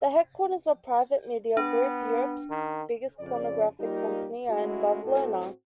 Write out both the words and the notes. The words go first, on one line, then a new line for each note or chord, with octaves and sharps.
The headquarters of Private Media Group, Europe's biggest pornographic company, are in Barcelona.
B3 D4
D#3
F2 C#3 D5
G3 A#3 D#4 F4 G4 A#4
G#3 A3 C#4 E4 F#4
A2 C4 F#4 A4